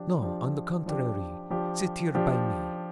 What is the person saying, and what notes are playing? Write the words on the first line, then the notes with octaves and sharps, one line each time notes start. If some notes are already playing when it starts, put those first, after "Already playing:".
'No, on the contrary, sit here by me.
Already playing: F3 D4 G4
F3 D4 G4
F3 D4 G4
F3 D4 G4
F3 D4 G4